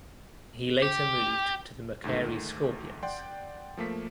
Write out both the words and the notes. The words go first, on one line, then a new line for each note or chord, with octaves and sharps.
He later moved to the Macquarie Scorpions.
G4
D2 G#2 D#3 A3
D5 F#5 G5 C6
F3 A3 A#3 B6